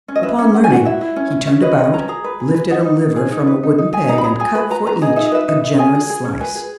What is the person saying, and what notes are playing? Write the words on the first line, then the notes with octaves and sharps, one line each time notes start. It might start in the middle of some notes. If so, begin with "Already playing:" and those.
Upon learning, he turned about, lifted a liver from a wooden peg and cut for each, a generous slice.
C#4
D#5
B4 E5
C#4
C#4 F#5
G#5
F#4 F#5
E4 E5
E4
C#4
C#4
C#4 E5
B4 D#5
C#4 D#5
C#4 A#5
G#4 A#5
B4
G#4
B4
D#4 F#5
D#4
D#4
G#4
D#4
B4
D#4
D#4
G#4 G#5
D#4 A#5
B5
G#4 A#5
G#4 G#5
B4 B5
B4 A#5
B4 A#5
G#4 D#5
D#4 E5
D#5
B4 E5
D#4
D#4
G#4 G#5
G#4
G#4
C#4
B4 G#5
G#4